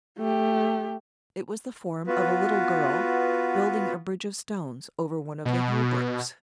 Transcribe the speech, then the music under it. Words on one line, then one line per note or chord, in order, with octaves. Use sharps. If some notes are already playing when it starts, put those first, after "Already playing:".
It was the form of a little girl, building a bridge of stones over one of the hill-brooks.
A3 G4
B3 F4 F#4 B4
B2